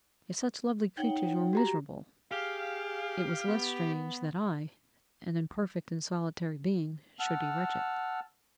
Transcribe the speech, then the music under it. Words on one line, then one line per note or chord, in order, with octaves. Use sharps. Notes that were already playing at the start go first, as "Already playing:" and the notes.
If such lovely creatures were miserable, it was less strange that I, an imperfect and solitary being, should be wretched.
D#4 C#5 F#5 G5
F#4 G4 A#5
G4 G#4 F5
B3
F#5 A5 E6 F6